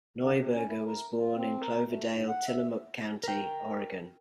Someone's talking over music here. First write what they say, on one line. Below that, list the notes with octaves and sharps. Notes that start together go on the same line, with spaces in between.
Neuberger was born in Cloverdale, Tillamook County, Oregon.
D3
C3
C#4
E4
A#4
F4
C4
A#4
A3
G#2
F#5
E5
A#4 G5